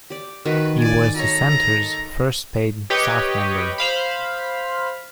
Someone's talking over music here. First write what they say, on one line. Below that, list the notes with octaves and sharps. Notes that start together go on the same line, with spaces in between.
He was the center's first paid staff member.
G4 D5
D#3 F#4 A#4 B4
D5 G#5
F#4 A4 C#5 D#5 A#5
G4 B4 C#5 D#5 G5
C5 F5 B5